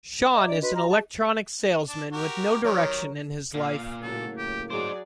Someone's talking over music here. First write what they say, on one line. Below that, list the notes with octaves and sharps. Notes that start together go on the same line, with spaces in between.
Shaun is an electronics salesman with no direction in his life.
D#5 E5 A#5 D6
D4 D5 D#5
F#4 B4 D#5 C6
A#5
G#4 A5
D4
F#4 G4 A#4
D#3 F#3 G4 A#4 C#5
A#2 F5
A2 C#3 F#3 A#3 A4
G4
F#3 D#4 G#4 C5 D5 D6